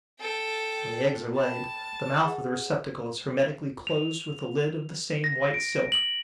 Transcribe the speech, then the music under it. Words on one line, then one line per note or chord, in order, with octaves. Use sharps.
When the eggs are laid, the mouth of the receptacle is hermetically closed with a lid of the same white silk.
A4 G5
G5 A5 B5
G#4 F#5
F7
A#6
D7
F#7